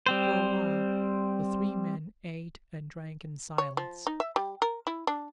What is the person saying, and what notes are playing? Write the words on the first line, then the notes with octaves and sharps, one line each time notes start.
For a while the three men ate and drank in silence.
G3 C4 C5
C#5
F3
D#4
E5
G3
A#4
E4
D4